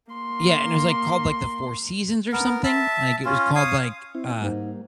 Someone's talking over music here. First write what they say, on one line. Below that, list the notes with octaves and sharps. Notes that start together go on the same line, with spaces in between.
yeah, and it was, like, called, like, the Four Seasons or something, like, it was called, like, uh
A#3 C6
B3 A#4
E5 A5
C#4 F4
C#5 F5 D#6
C4 E4
G#2 G3 A#3